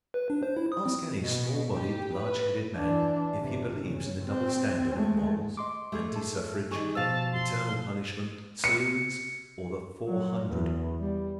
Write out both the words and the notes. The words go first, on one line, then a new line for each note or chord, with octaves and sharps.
Ask any small-bodied, large-headed man if he believes in the double standard of morals, anti-suffrage, eternal punishment, saloons, or the "four hundred!"
B4
D4
C5
E4
D#6
C4
B2
G4
B4
E3 D4
G1 C3
C#3
C4
G#3 A3
D#5 C6 D6
A3 G#4
A#2 A5
D#3 G3 G#4 G#5 C#6
B2 F3 F5 A5 E6
C6
C#7
F#3
E2
G3